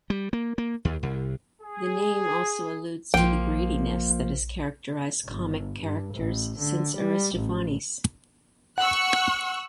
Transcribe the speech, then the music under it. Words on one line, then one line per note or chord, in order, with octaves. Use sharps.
The name also alludes to the greediness that has characterized comic characters since Aristophanes.
G3
A#3
A#3
D#2
C2
G#4
A#1 F3 A#3 G5
G1
G2
A1
D3
G3
A1
F#5 C#6 E6 F#6